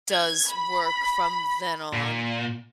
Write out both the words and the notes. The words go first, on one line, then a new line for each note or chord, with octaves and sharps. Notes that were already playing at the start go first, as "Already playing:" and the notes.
does work from then on
G#6
B5
A#2